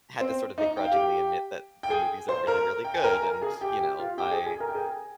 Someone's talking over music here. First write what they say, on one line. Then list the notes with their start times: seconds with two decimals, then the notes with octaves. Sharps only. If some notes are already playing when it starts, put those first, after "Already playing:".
had to sort of begrudgingly admit that the movies are really, really good. And, you know, I
0.20 C4 C5
0.58 D#4 D#5
0.77 G5
0.85 F5
0.92 G4 G5
1.83 G5
1.90 G#4 G#5
2.29 C5 C6
2.47 A#4 A#5
2.85 G5
2.94 G#5
3.04 A#4 A#5
3.23 A#4 A#5
3.42 G#4 G#5
3.61 G4 G5
3.79 G4 G5
3.99 F4 F5
4.18 G4 G5
4.31 G#4 G#5
4.46 G#4 G#5
4.60 A#4 A#5
4.69 G5
4.74 G#4 G#5